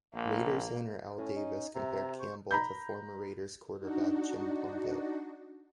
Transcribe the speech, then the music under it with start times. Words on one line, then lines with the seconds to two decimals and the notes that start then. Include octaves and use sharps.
Raiders owner Al Davis compared Campbell to former Raiders quarterback Jim Plunkett.
0.15 A#1 A#3
1.18 A2 C#4
1.36 D#4
1.75 C3 E5 A#5
2.20 C5 C#6
2.51 A#5 B5 G6
3.79 D4 D#4 F#4